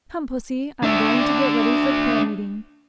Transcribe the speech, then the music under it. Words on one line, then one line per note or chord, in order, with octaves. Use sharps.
Come, pussy, I'm going to get ready for prayer meeting.
D4 E5